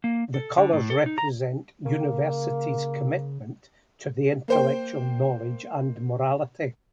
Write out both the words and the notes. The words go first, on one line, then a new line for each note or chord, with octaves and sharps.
The colors represent University's commitment to the intellectual knowledge and morality.
A#3
A4
D3
A2
A4
D#4
A#5
C#3 A#3
A#3 C5 G5